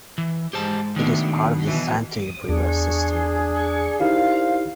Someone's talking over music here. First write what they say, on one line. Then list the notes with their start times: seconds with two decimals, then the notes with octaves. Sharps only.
It is part of the Santee River System.
0.18 E3
0.53 G#2 G4 C5 A5
0.96 B2 D#3 A3 D4
1.32 B2
1.66 B2 E3 F#3
2.49 E2 D4 G#4
4.00 A#2 D#4 E4 G4 C5 F5